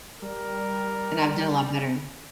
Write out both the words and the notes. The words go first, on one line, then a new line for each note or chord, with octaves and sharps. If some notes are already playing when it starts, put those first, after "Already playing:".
and I've done a lot better.
G3 A#4